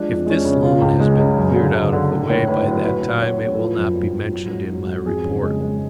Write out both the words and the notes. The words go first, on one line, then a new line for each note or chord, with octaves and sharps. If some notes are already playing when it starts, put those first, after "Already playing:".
If this loan has been cleared out of the way by that time it will not be mentioned in my report.
Already playing: F3 G#3 D4
F2
D4
G#3 C#4
D4
C#3
C#3 F4
C#2
G#3
C#3
F#2
D3
D3
D3
A2 D4
A2 C#5
A2 B4
F#3 C#5
A2 B4
A2
B4
A2 C#5
A2
A4
F3 B4
F#2
F#2
F3
F#3
G#2
F#3
F#3
F2 G#4
C#3
G#3
G#3